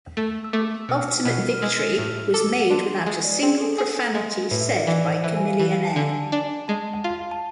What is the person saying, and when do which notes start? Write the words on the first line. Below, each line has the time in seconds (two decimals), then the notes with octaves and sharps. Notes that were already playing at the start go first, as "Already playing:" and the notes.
"Ultimate Victory" was made without a single profanity said by Chamillionaire.
0.17 A3
0.44 E6
0.53 A3 D6
0.89 B2 F6
1.25 B2 F6
1.54 F6
1.61 G#3 E6
1.98 A2 F6
2.34 A4 D6
2.70 D4 C6
3.06 G#3
3.24 D5
3.42 C4 G#4
3.60 A4
3.78 G#4
4.15 G#3
4.51 A2 B4
4.61 E5
4.69 D5
4.87 E3 D5
5.05 C5
5.24 E3 E5
5.37 G#5
5.48 F5
5.60 E3
5.72 F5
5.85 A5
5.96 D3 G#5
6.20 A5
6.32 D4
6.68 G#3 A5
7.04 F4 F5
7.31 A5